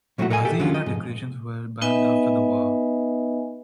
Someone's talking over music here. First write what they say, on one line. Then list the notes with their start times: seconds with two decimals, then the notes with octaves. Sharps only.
Nazi era decorations were banned after the war.
0.18 A#2 F#3 A3 B3 E4 F#4
0.30 A4 A#4 D#5 G5 G#5
0.45 G4 A4 E5
0.59 D#2 D3 F#3 C#4 F4
0.74 D#5
0.86 F2 G#2
1.81 B3 D#4 B4 D#5 E5 G#5